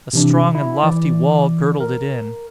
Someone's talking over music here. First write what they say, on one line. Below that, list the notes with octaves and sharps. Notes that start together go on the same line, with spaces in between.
A strong and lofty wall girdled it in.
C3 E3 D4
E4
E3 D5
A#4